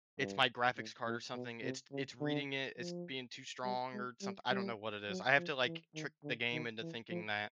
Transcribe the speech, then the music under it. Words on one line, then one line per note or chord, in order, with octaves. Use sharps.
it's my graphics card or something, it's it's reading it, it's being too strong or somethi I don't know what it is, I have to, like, trick the game into thinking that
G2
A2
A#2
B2
C3
C#3
D3
F3
G3
G#3
G3
G3
F#3
F3
E3
D#3
D3
D#3
E3
F3